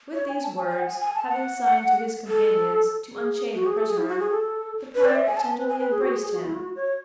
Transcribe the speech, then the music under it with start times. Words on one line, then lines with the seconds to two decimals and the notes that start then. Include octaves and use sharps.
With these words, having signed to his companions to unchain the prisoner, the prior tenderly embraced him.
0.14 C#5
0.29 G#5
0.43 A5
0.57 G#5
0.68 G#5
0.79 F#5
0.89 G#5
1.00 G#5
1.15 A5
1.28 F#5
2.27 A4
3.13 G#4
3.55 F#4
3.66 G#4
3.77 A4
3.88 G#4
3.98 E4
4.08 F#4
4.20 G#4
4.31 A4
4.95 B4
5.05 D5
5.15 E5
5.27 G#5
5.37 A5
5.47 G#5
5.59 B4
5.68 G#5
5.79 B4
5.91 G#4
6.02 F#4
6.12 G#4
6.22 G#4
6.34 F#4
6.44 E4
6.55 F#4
6.76 C#5